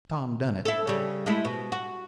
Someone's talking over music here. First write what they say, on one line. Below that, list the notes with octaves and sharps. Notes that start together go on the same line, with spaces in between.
Tom done it.
E4 A4
C#3 G3
G#3 A3 E4
B2
F#4